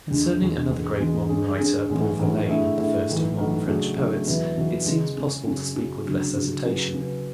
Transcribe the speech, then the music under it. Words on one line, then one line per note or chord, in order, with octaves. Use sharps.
Concerning another great modern writer--Paul Verlaine, the first of modern French poets--it seems possible to speak with less hesitation.
E1 D2 D3 G#3
E1 D2 D3 G#3
E1 E2 B2 G#3
E1 E2 B2 G#3
D3 G#3 C#4 G#4
D3 G#3 C#4 G#4
B1 A2 E3 G#3 C#4
B1 A2 E3 G#3 C#4
D3 A3 E4 G#4
D3 A3 E4 G#4
B1 A2 E3
B1 A2 E3
C#3 F#3 A3 D4 G#4
C#3 F#3 A3 D4 G#4
E2 B2 F#3 B3 E4
E2 B2 F#3 B3 E4
C#3 G#3 C#4
C#3 G#3 C#4
F#2 C#3 F#3 C#4
F#2 C#3 F#3 C#4
D2 C#3 F#3
D2 C#3 F#3
C#3 F#3 C#4 F#4 B4
C#3 F#3 C#4 F#4 B4